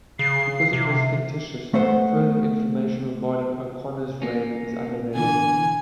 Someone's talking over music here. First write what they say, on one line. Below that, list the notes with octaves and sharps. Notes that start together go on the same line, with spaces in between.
Because it was fictitious, further information regarding O'Connor's reign is unavailable.
C#3 C7
C3
A3 B3 C5 F#5
A#3 C#4
B2 D3 E3 G#5